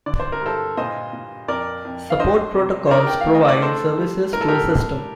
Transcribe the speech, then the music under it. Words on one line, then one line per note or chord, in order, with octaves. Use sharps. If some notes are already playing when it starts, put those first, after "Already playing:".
Support protocols provide services to a system.
D3 D5
C5
A#4
G2 A4 C5
A#2 C5 D#5
A#2
F2 A#4 D5
F2
F5
D4 C5 D#5
C3
C5
D4 A#4 D5
G5
F5
A3
D#5
D5
D4 A4 C5
G3
A2 A#4
A4
G4 A#4
D4